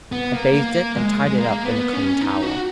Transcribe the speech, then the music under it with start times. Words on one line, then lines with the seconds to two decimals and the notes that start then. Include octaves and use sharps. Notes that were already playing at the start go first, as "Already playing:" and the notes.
I bathed it, and tied it up in a clean towel.
0.12 B3
0.33 A#3
0.54 A#3
0.96 G#3
1.26 G#3
1.38 A#3
1.65 B3
1.93 C#4
2.21 D#4
2.42 F#4